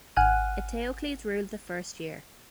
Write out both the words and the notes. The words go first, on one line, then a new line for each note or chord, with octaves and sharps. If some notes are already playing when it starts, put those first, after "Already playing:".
Eteocles ruled the first year.
G#1 F#5 G#5 F6 F#6 D#7